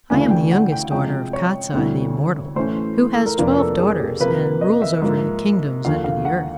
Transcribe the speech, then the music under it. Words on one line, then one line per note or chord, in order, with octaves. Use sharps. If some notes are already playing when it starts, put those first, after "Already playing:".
I am the youngest daughter of Kostiei the immortal, who has twelve daughters and rules over the kingdoms under the earth.
D2 C#3 E3 A3 D4 G#5
G5
F#5
G5
C3 F3 G#3 G5
C#5
D2 D3 G3 C4 E4
A2 E3 A3 C#4 E4 C5
A4
A#4
F2 C3 F3 A#3 D4 B4
A4
G#4
G4
C3 F3 A#3 B4
D#5
E5
G#2 F3 A#3
D#2 D3 F3 F5
F5
F#5